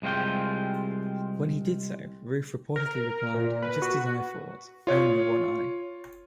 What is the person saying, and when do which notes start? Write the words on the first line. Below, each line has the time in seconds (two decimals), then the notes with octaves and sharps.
When he did so, Ruth reportedly replied, Just as I thought; only one I.
0.02 C2 G#3 C4 F4 G5
2.76 A#4
3.34 A#2
3.62 B4
3.82 F#4
4.87 F4 C#5